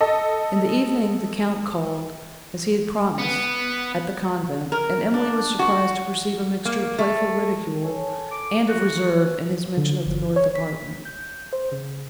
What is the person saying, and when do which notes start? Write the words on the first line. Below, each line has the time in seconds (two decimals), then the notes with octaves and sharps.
In the evening, the Count called, as he had promised, at the convent, and Emily was surprised to perceive a mixture of playful ridicule and of reserve in his mention of the north apartment.
0.01 A4 D#5
3.18 B3
4.72 A#4
5.14 D4
5.59 F#4
6.65 A#3
6.99 A3
7.83 A4 C#5 G#5
8.31 D6
8.68 F#4
9.77 D3
10.06 G1
10.36 C#5
10.55 B6
11.05 G6
11.53 C5
11.72 C#3